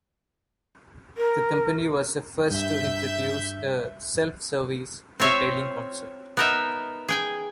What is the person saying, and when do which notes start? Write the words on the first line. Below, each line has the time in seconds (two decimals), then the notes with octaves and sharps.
The company was the first to introduce a "self-service" retailing concept.
1.17 A#4
2.51 G2 E5 G6
5.20 C4 F4 C#5 E5 F5
6.37 B3 D#4 A#4 D#5 E5
7.09 G#4 G5 G#5